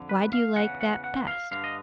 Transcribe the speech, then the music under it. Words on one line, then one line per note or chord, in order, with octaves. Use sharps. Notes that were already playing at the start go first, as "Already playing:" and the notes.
"Why do you like that best?"
Already playing: F2 D3
B4
F5
E2 C#3 E3 F#5
F#5
F#5
F5
G2 D3 F5
D#5